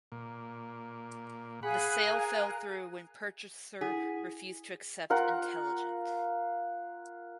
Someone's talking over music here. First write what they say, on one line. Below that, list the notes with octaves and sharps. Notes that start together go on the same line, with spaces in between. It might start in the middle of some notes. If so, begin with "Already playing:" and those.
The sale fell through when purchaser refused to accept "Intelligent".
A#2
G#4 F5 F#5 G#5 B5 F#6
A#4
E4 G#4 F#5 B6
F4 A#4 F#5